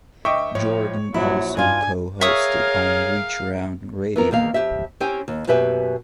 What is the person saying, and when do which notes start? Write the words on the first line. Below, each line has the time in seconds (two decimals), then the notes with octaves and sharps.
Jordan also co-hosted on "Reach Around Radio".
0.25 D2 D#5 E5 G5 C#6 D6
0.55 A2 F3 C#5
1.14 A#1 F#3 E4
1.57 G2 D4 D#4 F4 G#5
2.21 G#4 A#4 C#5 E5 F5 C#6 D#6
4.16 E3 B3 A#4
4.31 E2 D#3 A#3 F5
4.54 F2 C#3 G4 E5
5.00 C4 C#4 E4 G4 G5 G#5
5.28 D#2
5.47 F#2 B2 G4 B4 E5 G#5